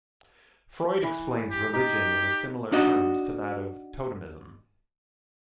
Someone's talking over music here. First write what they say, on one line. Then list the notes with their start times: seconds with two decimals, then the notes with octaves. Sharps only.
Freud explains religion in a similar term to that of totemism.
1.03 E3
1.51 G4
1.73 D#4 G4
2.72 D4 D#4 F#4 D#5